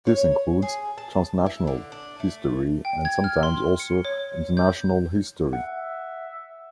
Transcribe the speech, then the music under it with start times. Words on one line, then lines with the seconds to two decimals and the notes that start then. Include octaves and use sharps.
This includes "transnational" history and sometimes also international history.
0.07 C#5
0.62 G#4
0.98 A5
1.46 E4
1.67 D3
1.92 D4
2.20 A3
2.85 G5
3.05 G#6
3.24 F6
3.43 C6
3.80 C#7
4.05 C#5
4.57 G6
5.53 E5 F#5